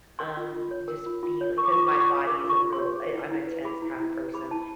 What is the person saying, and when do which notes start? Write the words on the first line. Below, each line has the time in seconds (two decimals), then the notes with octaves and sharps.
Um, just feeling 'cause my body is a real I I'm a tense kinda person.
0.19 A#4 C6
0.37 F4
0.55 F4
0.71 C#5
0.88 A#4
1.06 F4
1.23 F4
1.41 C#5
1.57 A#4 C#6
1.65 D6
1.72 C#6
1.75 F4 D6
1.87 C#6
1.92 F4 D6
2.00 C#6
2.10 C#5
2.27 A#4 D6
2.45 F4 C#6
2.61 F4
2.73 C6
2.79 C#5
2.96 G#4
3.12 E4
3.31 E4
3.47 B4
3.65 G#4 B5
3.82 E4
4.00 E4
4.17 B4
4.34 G#4 B5
4.51 E4 A5